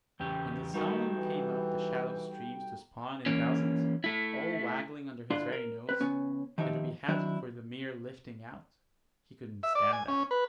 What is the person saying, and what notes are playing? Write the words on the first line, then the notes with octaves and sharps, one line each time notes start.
When the salmon came up the shallow streams to spawn in thousands, all waggling under his very nose, and to be had for the mere lifting out, he couldn't stand that.
E2 C#3 G4 G5
D#3 G3 B3 D#4 F#4 A4
E3
E3 A#3 C#4
A3 E4
D3 D4 E4 F4 D5 C6
A#4
C4 B4
C#3 B3 C#4
D#3 F3 D#4 G4 E5
D#3 F#3 C4 D4 E4
E5
D5
G#5
C#4
B4